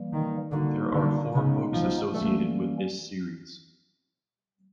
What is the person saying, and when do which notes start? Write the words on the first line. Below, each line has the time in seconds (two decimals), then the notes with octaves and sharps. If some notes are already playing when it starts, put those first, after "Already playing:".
There are four books associated with the series.
Already playing: E3 G3 A#3
0.12 D#3
0.52 D3 D#3 G3 A#3 D#4 F#4
0.93 D3
1.33 C#3 G#3 B3 D#4
1.73 F3
2.13 E3 G3 A3 A#3 C#4